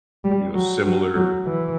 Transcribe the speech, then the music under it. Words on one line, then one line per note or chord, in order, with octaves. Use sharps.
you know, similar
G3
F#3
F#3
F#3
E3